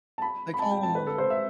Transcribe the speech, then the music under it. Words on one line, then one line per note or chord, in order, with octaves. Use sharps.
they call 'em, uh
A5
B5
B5
A5
G5
A5
B4
A4
C5
E5